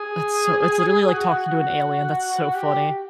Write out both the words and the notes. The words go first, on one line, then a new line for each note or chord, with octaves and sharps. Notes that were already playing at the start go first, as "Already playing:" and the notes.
That's so it's literally like talking to an alien. That's so funny.
Already playing: G#4
F#4
G4